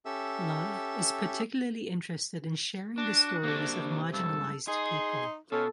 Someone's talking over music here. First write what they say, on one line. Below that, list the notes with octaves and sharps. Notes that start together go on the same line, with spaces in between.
Love is particularly interested in sharing the stories of marginalized people.
C#4 G4 A4 E5 E6
D4 F#4
C3 A#3 D4
C#2 G2 A4
D#4 G#4 C6
B2 C#4 F4 A4